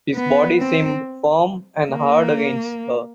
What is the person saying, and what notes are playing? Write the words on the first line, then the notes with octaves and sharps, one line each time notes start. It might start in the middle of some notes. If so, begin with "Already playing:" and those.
His body seemed firm and hard against her.
B3
C4
A#3